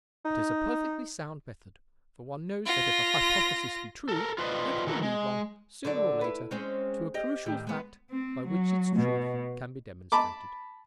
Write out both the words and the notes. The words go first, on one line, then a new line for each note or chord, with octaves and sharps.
It is a perfectly sound method, for one knows that if a hypothesis be true, it will lead one, sooner or later, to a crucial fact by which its truth can be demonstrated.
D#4
F4 A#6
A4 A#4
F4 B4 C5 D5 D#5
D#3 E3 F#3 A4 A#4
G#3
D3 F#3 D5
E4 B4
G#3 C4 C#4
G4 D#5
A2 D#3 G4
G#3 B3
C4
F#3
B2
A5 B5 D6